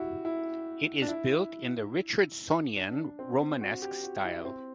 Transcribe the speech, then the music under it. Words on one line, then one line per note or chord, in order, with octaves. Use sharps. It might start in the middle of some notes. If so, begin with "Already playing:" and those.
It is built in the Richardsonian Romanesque Style.
Already playing: E4 F#4 G4
E4
D4
E4
D4
C4
F#4
G4
F#4
E4
C4